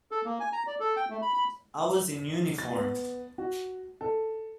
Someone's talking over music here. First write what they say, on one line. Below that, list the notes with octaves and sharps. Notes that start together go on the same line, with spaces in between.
I was in uniform!
A4
A#3
G#5
A#5
D5
A4
G5
A3
B5
B5
A6
B3
F#4
A4